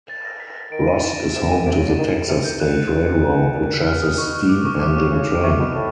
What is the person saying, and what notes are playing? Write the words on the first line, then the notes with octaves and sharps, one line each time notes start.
Rusk is home to the Texas State Railroad, which has a steam engine train.
A6
A#6
B6
A6
D#3 D7
D#7
E7
D#7
C3 E7
A#2 D#7
C3 D7
C#3
D3
D#3
C3 C#7
G6
A#2 F#6
A#2
F6
D#6
A#2
B2 C#6
C#6
D6
C#6
C3 D6
C#3
C#3
C3 C#6
B2
A2